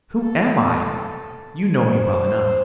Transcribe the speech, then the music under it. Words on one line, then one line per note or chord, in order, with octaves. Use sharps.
"Who am I? You know me well enough."
A4
C5